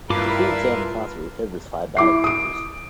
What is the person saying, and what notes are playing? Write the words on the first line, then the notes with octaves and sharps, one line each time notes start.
The fleet sailed in concert with Hipper's five battlecruisers.
G2 E4 F4 A#4 B4 F5 A5 D6
E4 D6 C7
D#6 D7